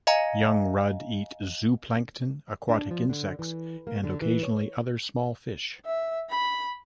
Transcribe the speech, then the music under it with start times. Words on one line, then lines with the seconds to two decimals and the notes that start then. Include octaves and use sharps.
Young rudd eat zooplankton, aquatic insects, and occasionally other small fish.
0.07 D#5 F5 G#5 A#5
2.69 D4
2.91 F3
3.09 D3
3.39 E3
3.87 A#3
4.04 D3
4.22 E3
4.43 C#5
5.85 E5
6.30 B5